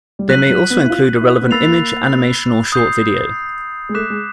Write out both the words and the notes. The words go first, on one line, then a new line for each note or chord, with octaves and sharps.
They may also include a relevant image, animation or short video.
G3
F#3 F#6 B6 D#7 F#7
F#3
B3
E4
F4
E4
B3
A#3 B5 E6 A6 C7 F7
D#6 G6 C7
G#3
A3 D6 F#6 B6 E7
G#3